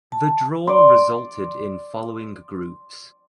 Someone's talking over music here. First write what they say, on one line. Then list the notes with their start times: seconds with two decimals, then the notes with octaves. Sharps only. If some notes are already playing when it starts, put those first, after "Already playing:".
The draw resulted in following groups.
0.12 A5
0.67 D5 C6